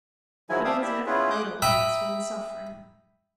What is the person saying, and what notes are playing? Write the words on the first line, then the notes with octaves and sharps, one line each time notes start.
But he was never idle unless when suffering.
D#3 F3 F#3 G#3 E4 G#5
D5 E5 F5 G5 A5 D#6
E4 G4 D5 E5
B3 C#4 E4 F4 G#4 B4
D6 D#6 F#6 G6
E5 G5 A#5 B5 D#6